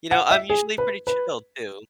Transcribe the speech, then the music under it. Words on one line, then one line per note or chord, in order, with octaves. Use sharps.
you know, I'm usually pretty chill too.
F#5
E5
G#4
B4
B4